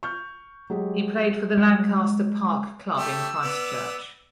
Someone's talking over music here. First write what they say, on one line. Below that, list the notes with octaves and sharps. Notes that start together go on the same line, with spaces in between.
He played for the Lancaster Park club in Christchurch.
C#6 F6 G6
F#3 G#3 G4
F#3 G#3
A3 G4 E6
B3 D5